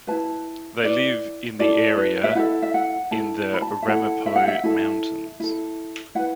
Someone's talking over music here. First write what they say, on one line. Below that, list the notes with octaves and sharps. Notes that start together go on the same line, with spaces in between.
They live in the area in the Ramapo Mountains.
E4 B4 A5
E4 B4 D5
E4 A4 D5
B4
E5
E4 A4 F#5
E5
F#5
E4 A4 A5
B5
A5
E5
E4 A4 F#5
E5
F#5
E5
E4 A4
E4 A4
E4 B4 F#5